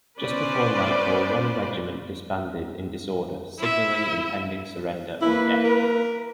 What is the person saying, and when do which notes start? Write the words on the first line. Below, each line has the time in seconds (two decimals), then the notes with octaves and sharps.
Just before nightfall one regiment disbanded in disorder signalling impending surrender or death.
0.20 B3 C#4 B4 C5 D5
3.58 E4 E5
5.22 A#3 E4 B4
5.64 A#4